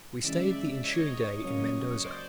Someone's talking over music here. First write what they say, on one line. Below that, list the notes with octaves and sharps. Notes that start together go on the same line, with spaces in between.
We stayed the ensuing day in Mendoza.
C#3 E3 G#3 D5 E5
C#5 D#5
C#3 F#3 A#3 C#4
C5 D5